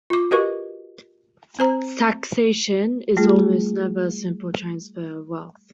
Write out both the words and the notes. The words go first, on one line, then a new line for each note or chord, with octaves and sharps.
Taxation is almost never a simple transfer of wealth.
F4 D6
F#4 G4 A#4 B4 D#5 C#6
C4 C5 A#5
G3 A3 F4 G#4